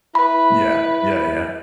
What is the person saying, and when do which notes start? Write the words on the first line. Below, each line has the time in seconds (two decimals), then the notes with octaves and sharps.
Yeah. Yeah, yeah.
0.15 E4 B4 B5